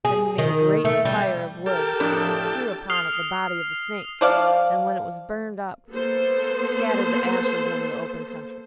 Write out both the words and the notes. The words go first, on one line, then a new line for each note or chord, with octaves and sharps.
Then he made a great fire of wood, and threw upon it the body of the snake, and, when it was burnt up, scattered the ashes over the open country.
G#4
D#3
A3
G3
G4 A4 A#4
F2 A2 D4
D#6 F6 C7 F7
F3 D5 F5
A#3 B3 A4 C5